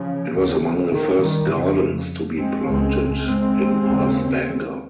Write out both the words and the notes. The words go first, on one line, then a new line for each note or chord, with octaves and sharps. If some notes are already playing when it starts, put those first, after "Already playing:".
It was among the first gardens to be planted in North Bengal.
Already playing: C#3 F3
D#2 C#3
D#3
D#3 G3
F2 C#3
G#3 C4
C#2 C#3 G#3 C4
G#3 C4
D#2 C#3